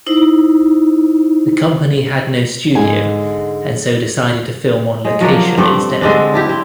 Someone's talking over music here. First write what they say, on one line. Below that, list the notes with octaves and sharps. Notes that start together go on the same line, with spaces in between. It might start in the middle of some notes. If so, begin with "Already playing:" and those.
The company had no studio and so decided to film on location instead.
D#4 E4 C5
G#2 D3 G#3 G#5
G#3
F3 F#3 A#3 D4
G2 C4 A4 D5
D3 G#3 C4 D4
D4 E4 G4
C4